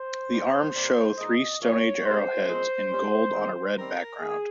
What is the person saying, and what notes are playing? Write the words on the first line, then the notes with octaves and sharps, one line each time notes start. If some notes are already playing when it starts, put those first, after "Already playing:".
The arms show three Stone Age arrowheads in gold on a red background.
Already playing: C5
A#2 G3 C4
C3 G3 A#3
A#2 G#3 D#4 D#5
C#3 F3 A#3 D#4 C#5
C3 G3 A#3 C5
A#2 F3 G#3 C4
A#2 G3 C#4
D#3 G#3 C4
D#3 G3 C4 A#4
D#3 G#4